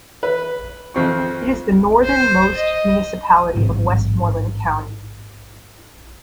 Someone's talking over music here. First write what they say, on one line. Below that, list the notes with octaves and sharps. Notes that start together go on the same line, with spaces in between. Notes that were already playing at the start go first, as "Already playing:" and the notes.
It is the northern most municipality of Westmoreland County.
B4
F2 C4 C#6
C5
D#5
A1 G#2 C3 F#3